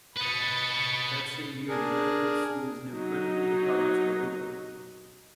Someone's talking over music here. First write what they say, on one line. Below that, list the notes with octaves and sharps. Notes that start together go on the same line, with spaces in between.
That same year, the Medical School's new clinical departments were opened.
B4 D#5 B5 A6 C#7
D4 G#4 A#4
F#3 D#4